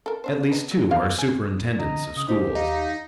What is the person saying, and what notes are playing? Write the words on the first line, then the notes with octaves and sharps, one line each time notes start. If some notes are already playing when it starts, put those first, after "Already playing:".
At least two are superintendents of schools.
A4 A#4
C#3 D4 C5
B3 D4 D#4
F#3
B3 F4 F5
G#5
D3 D#5 A#5
C#3 D#6
D#4 G4 C5
D#2 D#4 F5